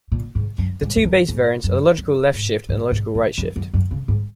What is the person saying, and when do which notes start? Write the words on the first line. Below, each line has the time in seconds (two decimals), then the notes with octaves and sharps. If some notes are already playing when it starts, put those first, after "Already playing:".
The two base variants are the logical left shift and the logical right shift.
0.12 A#2
0.35 G#2
0.58 F#2
0.82 G#2
0.96 G#2
1.04 F#2
1.28 G#2
1.64 F#2
1.98 F#2
2.33 G#2
2.69 G#2
2.92 G#2
3.15 G#2
3.38 F#2
3.56 F#2
3.74 F#2
3.91 C#3
4.08 G#2